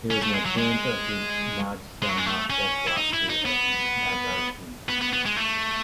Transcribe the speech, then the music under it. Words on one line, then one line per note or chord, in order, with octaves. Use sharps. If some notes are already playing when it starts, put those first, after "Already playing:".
He was an adherent of the Madhyamaka philosophy of Nagarjuna.
C#4
A3
G#3
F#3
G#3
G#3
F#3
G#3
A3
C#4
E4
D#4
E4
D#4
B3
B3
B3
B3
G#3
A3